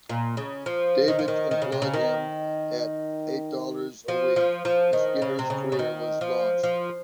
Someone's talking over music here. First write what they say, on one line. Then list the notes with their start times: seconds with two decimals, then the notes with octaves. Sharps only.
Davidge employed him at eight dollars a week, and Skinner's career was launched.
0.09 A#2
0.37 C#3
0.66 F3
1.08 D#3
1.19 F3
1.28 D#3
1.51 D#3
1.62 C#3
1.72 C3
1.82 C#3
1.94 D#3
4.08 F3
4.36 F3
4.65 F3
4.93 D#3
5.22 C#3
5.39 C3
5.50 C#3
5.72 C#3
5.79 D#3
6.21 F3
6.63 F3